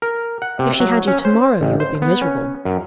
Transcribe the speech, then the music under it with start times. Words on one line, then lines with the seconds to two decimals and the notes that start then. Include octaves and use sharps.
If she had you to-morrow, you would be miserable.
0.02 A#4
0.42 F#5
0.59 C3
0.80 F#3
1.08 C#4
1.25 C5
1.61 A1
1.80 C5
2.02 B3
2.21 C#4
2.65 F#2